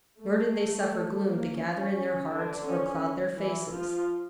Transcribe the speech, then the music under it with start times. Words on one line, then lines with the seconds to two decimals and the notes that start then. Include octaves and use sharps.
Nor did they suffer gloom to gather in their hearts or cloud their faces.
0.20 A3
1.25 A#3
1.60 C#4
2.29 D3 D4
2.66 C#4
3.35 E3 E4
3.70 F3 F4